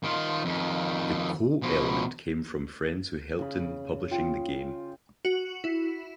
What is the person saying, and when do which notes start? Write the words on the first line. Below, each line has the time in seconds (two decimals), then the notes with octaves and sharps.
The "Co" element came from friends who helped in publishing the game.
0.04 D#3 F4
0.45 F2 D#3
1.62 B2 F3
3.39 C#3 B5
4.11 F4 G5
5.25 F#4
5.64 E4